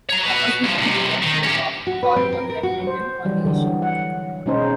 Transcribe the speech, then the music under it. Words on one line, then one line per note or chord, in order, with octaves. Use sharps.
Opposition Leader Phil Goff called for a referendum on the issue.
C#5 A#5
F#4 B4
G2 F3
B1 C3
D#3
C#4 G4
F#4
B4
C4
A#4
A#4
F#4
C5
E3 F#3 G3
D3 F#3
F#5
B2 G#3 C#4 D#4 C5